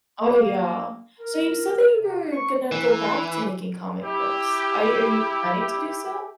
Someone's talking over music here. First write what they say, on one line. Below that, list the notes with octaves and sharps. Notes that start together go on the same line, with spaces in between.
Oh, yeah, so you said that you were gonna go back to making comic books, are y are you planning to do so?
A#3
A#4
C3
C#6
E3
E4 G4